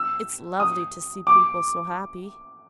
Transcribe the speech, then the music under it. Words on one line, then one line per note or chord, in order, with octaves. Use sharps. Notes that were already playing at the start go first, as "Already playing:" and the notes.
It's lovely to see people so happy.
Already playing: E6
D#6
D6